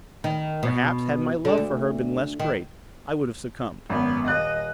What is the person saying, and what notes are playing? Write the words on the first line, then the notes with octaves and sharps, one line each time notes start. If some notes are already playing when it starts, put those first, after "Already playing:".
Perhaps had my love for her been less great, I would have succumbed.
D#3
B2
D3
D2
D#3
G#1 F#2 B3
D#1 D#5 F5 F#6